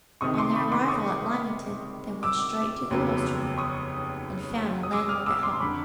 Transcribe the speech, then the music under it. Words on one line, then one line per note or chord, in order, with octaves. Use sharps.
On their arrival at Lymington, they went straight to the hostelry, and found the landlord at home.
C#2 C3 D#3 C#6 D#6
C6 D6
B5 C#6
C6 D6
C#6 D#6
D6 E6
F1 D#2 C#3 F#3 B3
C#6 D#6
D#6
D6 E6
D#6 F6
D6 E6
C6 D6
F1 D3 B5 C#6